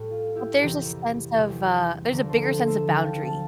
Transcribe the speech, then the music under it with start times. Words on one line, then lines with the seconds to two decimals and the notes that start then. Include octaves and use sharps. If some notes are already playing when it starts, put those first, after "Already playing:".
But there's a sense of, uh there's a bigger sense of boundary.
Already playing: A2 G3
0.10 F4
0.35 E4 G4
0.60 E2 C3 E3 G3 G4 A#4
1.36 E2 C3 E3 G3
2.09 D2 D3 F3 A#4 D5
2.29 A4 C5
2.48 A4 C5
2.66 C5 E5
2.86 D2 D3 F3 A5
2.94 G5
3.03 F5 A5
3.23 F5 A5